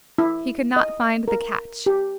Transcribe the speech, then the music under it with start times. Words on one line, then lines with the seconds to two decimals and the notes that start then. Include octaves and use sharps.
He could not find the catch.
0.18 E4
0.76 D#5
1.28 A#4
1.86 G4